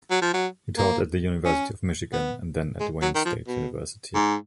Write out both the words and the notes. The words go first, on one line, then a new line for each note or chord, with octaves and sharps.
He taught at the University of Michigan and then at Wayne State University.
F#3
F3
F#3
A#3
C#4
B3
G#3
F#3
D#3
F3
B2
G#2